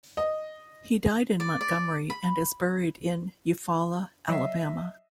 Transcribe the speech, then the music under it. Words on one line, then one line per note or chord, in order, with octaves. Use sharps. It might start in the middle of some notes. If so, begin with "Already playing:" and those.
He died in Montgomery and is buried in Eufaula, Alabama.
D#5
D5
D5
B5
F#3 D#5 E5 C7